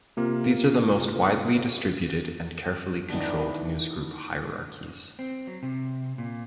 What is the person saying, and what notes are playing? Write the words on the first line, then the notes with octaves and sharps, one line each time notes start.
These are the most widely distributed and carefully controlled newsgroup hierarchies.
C3 A#3 F4
D#3 E3 B3 D4
C4
F#3
C3
A#2